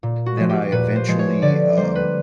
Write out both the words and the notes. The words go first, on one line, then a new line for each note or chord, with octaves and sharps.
then I eventually, um,
A#2
F#4
F3 G#3
G4
A#2 B4
C5
F3 G#3
C#5
D3 D5
G3 A#3 C5
B4